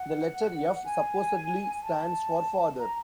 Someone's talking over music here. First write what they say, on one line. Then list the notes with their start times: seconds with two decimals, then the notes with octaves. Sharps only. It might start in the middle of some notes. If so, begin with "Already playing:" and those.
The letter "F" supposedly stands for "Father".
Already playing: F#5
0.85 G#5
1.83 A5
2.79 A#5